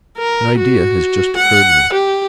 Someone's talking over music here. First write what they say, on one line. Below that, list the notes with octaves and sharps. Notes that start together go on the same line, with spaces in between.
"An idea has just occurred to me."
A#4
F#4
F#5
G4